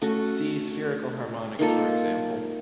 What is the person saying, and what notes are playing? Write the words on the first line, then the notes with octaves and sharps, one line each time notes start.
See spherical harmonics for example.
A3 C#4 F#4 A4
D#3 A#3 F4 A4